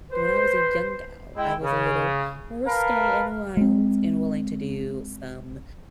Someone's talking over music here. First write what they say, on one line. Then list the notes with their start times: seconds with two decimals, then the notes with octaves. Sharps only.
when I was a young gal, I was a little more risque, and wild, and willing to do some
0.11 B4 C5
1.37 G#3 E4 G5
1.62 C#3
2.66 A#4 B4 F5 A5
3.57 G#3 C4